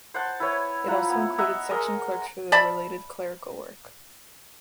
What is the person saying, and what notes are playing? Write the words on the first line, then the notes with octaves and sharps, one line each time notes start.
It also included Section Clerks for the related clerical work.
C5 F#5 A5
E4 B4 C#5
F3 E4 F#5 A#5
B3
D#5 E5 F#5 A#5
G#3 A#4 D#5
D5 E5 A5 B5